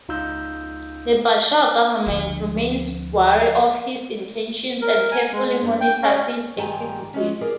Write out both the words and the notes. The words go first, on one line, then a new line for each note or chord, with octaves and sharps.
The Bashar government remains wary of his intentions and carefully monitors his activities.
C#2 D#4 F4 D#5 E6 G6
D2 F3
A#4
G#5
G#3
G#3
G2
G5
C#4
G2 D#3 F4 G4 G#5 A#5
G#3 C#4
G#4 A#4 D5